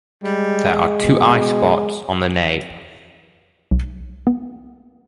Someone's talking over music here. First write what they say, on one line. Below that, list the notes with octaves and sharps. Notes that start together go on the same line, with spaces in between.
There are two eyespots on the nape.
G3 G#3
B2
B1
B3